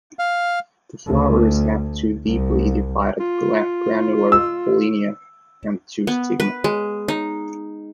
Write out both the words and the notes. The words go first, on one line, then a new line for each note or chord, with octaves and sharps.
The flowers have two deeply divided granular pollinia and two stigma.
F5
D2
C2
F4
E6
B3
B4
G#3
D#4